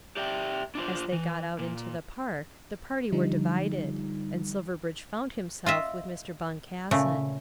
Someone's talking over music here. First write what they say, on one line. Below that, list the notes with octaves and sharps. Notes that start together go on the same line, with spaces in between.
As they got out into the park the party were divided, and Silverbridge found himself with Mr. Boncassen.
G4 D5 E5 G5
D4 F4 C5
E3
A#2
D3 F3 G3 D#4
F4 D#5 E5
A#2 C#3 A3